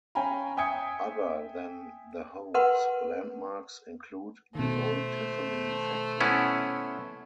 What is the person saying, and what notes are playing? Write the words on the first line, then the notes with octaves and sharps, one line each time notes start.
Other than the homes, landmarks include the old Tiffany factory.
C#4 F5 G5 G#5 A#5 B5
E5 G5 G#5 D#6 G#6 C#7
A#4 B4 F#5 C6
B2 D#3 A3 C5
B3 C#4 E4